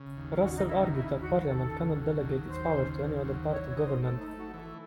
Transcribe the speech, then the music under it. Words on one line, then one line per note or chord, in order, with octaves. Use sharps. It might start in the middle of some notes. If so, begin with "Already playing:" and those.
Russell argued that Parliament cannot delegate its powers to any other part of government.
Already playing: C#3
D#2
C#3 F#4
D#4
C#3 E4
D#4
D#2 E4
D#2 F#4
D#2 A4
C#3
F#3
D#2
D#2 C5
C#3
D#2
F#3
E3 C#5
C#5
D#4
C5
A3 A4
D#4
A3
F#4
E3 A4